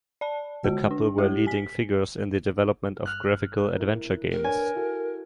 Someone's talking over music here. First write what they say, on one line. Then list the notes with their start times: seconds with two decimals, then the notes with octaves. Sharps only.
The couple were leading figures in the development of graphical adventure games.
0.21 D5 A5
0.64 D3 G#3 F#4
0.91 D4
1.18 G#3 E4 G4
1.47 G#5 B6
3.06 G2 F6 F#6
3.76 E4 A#4
4.32 A3 G4 A#4
4.44 D4 B4 C#5 G#5
4.76 E4 F#4 A4